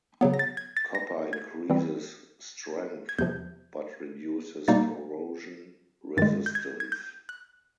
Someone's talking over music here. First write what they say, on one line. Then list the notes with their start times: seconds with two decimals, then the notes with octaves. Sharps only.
Copper increases strength, but reduces corrosion resistance.
0.21 C#3 F#3 B3
0.34 A#6
0.39 A6
0.57 G#6
0.77 A6
0.95 A#6
1.33 G#6
1.70 E3 G3 C4
3.09 G#6
3.18 E2 C3 F3 G6
4.68 B2 G3 A#3 D#4 A6
6.17 G2 D#3 G#3 A6
6.46 G6
6.55 G#6
6.80 G#6
6.92 G6
7.29 F#6